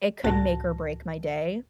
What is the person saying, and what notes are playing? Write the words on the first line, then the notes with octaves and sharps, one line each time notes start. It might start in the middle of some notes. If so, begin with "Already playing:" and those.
it could make or break my day.
C#2 A2 F#4 A5 A#6